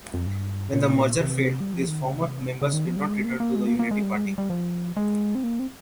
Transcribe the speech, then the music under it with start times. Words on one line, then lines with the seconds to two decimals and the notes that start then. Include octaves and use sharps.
When the merger failed, these former members did not return to the Unity party.
0.14 F2
0.26 G2
0.73 A#2
1.20 C3
1.60 G3
1.74 F3
1.87 D#3
2.01 C#3
2.14 C3
2.62 C#3
2.73 D#3
2.85 F3
2.96 G3
3.09 G#3
3.24 A#3
3.40 A#3
3.56 G#3
3.67 A#3
3.79 A#3
3.91 G#3
4.03 G3
4.15 G#3
4.26 G3
4.38 G3
4.50 F3
4.97 G#3
5.35 C4
5.44 A#3
5.59 C4